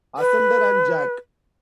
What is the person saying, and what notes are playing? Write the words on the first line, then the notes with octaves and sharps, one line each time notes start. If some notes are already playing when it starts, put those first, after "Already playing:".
Asunder and Jack!
B4